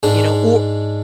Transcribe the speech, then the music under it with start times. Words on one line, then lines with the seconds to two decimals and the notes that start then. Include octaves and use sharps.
you know or
0.03 G#2 G#3 D4